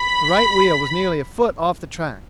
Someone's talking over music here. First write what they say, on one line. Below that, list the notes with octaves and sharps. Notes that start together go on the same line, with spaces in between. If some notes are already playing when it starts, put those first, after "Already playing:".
The right wheel was nearly a foot off the track.
Already playing: B5